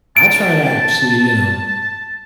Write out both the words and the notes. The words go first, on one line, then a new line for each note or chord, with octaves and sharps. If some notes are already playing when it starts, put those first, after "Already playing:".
I try to actually, you know,
A5 D7